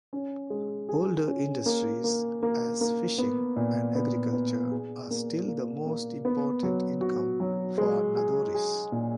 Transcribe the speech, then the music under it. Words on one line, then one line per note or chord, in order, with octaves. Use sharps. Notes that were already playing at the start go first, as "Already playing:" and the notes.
Older industries as fishing and agriculture are still the most important income for Nadoris.
C#4
G#3
G#4
C#4
A#3
A#3
A#3
A#3
B3
A#2
B3
B3
G#4
A#3
A#3
A#3
B3
F#3
F#4
F#3
G#3
G#4
G#4
A#2